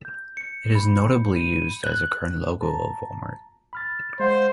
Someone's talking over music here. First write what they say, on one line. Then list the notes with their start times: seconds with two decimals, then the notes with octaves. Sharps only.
It is notably used as the current logo of Walmart.
0.05 G6
0.37 C#7
0.75 B5
1.36 D#7
1.83 F#6
2.62 A5 A#5
3.73 B5 F6 A6
4.20 G#3 C5 F5 F#5